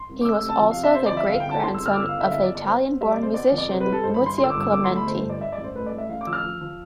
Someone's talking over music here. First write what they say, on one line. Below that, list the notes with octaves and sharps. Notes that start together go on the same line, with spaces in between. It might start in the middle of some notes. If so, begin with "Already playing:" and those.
He was also the great-grandson of the Italian-born musician Muzio Clementi.
Already playing: C6
C2
D6
A3 E6
E6
C3
A5
F3
F5
C3
E5
C3 C5
D5
F3
E5
G1 F5
G5
D3
A5
G1 C6
E6
G1
F6
D6
G1 E6
F5
D3
E5
F5
G1 E5
D5
G1
D5
B3 C5
B3
G3 E5
D5
C3
C5
B3 D5
F2
D5
C3 C5
B4
G3
A4
G2 C5
B5
E3
C6
G1 C6
E6
D6
G2
E6
G1 D6
C6
A3
B5
G1 C5
C5
G2
D5
G2 E5
D5
A1
C5
A3 B4
D5
A1
E5
A1 F5
D6
F3 E6
F6
F3
F3